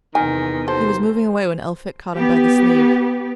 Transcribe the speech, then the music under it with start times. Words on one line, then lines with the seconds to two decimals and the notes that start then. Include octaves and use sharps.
He was moving away when Elphick caught him by the sleeve.
0.15 E2 C3 D#3 G#5
0.68 D#2 A4 C5
2.16 B3 G4